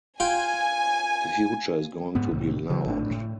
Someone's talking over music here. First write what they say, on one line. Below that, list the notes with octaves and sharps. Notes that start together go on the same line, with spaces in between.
The future is going to be loud!
F4 G5 G#5
G#2 B3
C2 A2
C#3 E3 F#3
G#1 A2 D4
A2